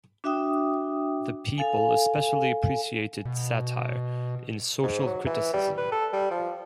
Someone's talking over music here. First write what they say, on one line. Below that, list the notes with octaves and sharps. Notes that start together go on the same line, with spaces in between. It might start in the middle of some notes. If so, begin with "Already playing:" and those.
The people especially appreciated satire and social criticism.
D4 F#4 E5 G5 D#6
A4 F5 G#5
B2
G#2
F#3
E3
G3
B4
A4
G3
F3